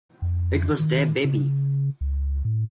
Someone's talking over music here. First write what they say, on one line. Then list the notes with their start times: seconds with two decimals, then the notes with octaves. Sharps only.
It was their baby.
0.22 F2
0.80 D#3
1.25 C#3
2.01 C#2
2.45 A2